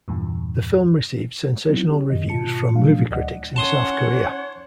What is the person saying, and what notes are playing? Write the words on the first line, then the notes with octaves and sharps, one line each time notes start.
The film received sensational reviews from movie critics in South Korea.
E2 G2 A#2
F#3 B3 C4 D#4 E4
C#4 G4
F#2 D#3 D#5
G#2 B2 F4 A5 C#7
A#2 F3 F#3 A3 D4 F5
D2 D5 D#5 F#5
C#4 C#5 F#5 A5 C6 D#6